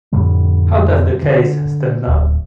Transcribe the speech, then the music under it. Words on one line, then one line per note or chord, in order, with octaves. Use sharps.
How does the case stand now?
F2 A2 D3 G3
D3
D1